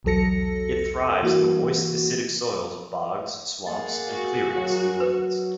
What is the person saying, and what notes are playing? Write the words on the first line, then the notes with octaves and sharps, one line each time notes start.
It thrives in the moist, acidic soils of bogs, swamps, and clearings in woodlands.
B1 E2 F#3 A4 A#6 C#7
E3 A#3 F#4
A#3 G#4 F#5 A6
F#4
F#3
B4